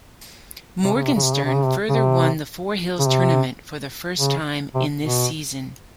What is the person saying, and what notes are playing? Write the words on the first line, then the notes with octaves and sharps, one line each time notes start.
Morgenstern further won the Four Hills Tournament for the first time in this season.
C3
C#3
C3
C#3
C3
C#3
C3
C#3
C3
C#3
C3
C#3
C3
C#3
C3
B2